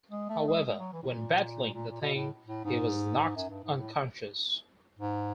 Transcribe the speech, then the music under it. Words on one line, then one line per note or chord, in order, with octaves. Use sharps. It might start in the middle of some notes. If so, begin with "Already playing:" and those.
However, when battling the Thing, he was knocked unconscious.
G#3
A3
G#3
G#3
F#3
E3
A2
A#2
A#2
A#2
B2
A2
A2
G#2
F#2
G2
G#2
A2
G#2